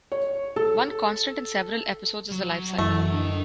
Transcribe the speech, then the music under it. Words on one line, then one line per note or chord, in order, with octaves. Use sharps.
One constant in several episodes is the life cycle.
C#5
A4
F#3
F#2 E3 A3
D3 A#4 D#5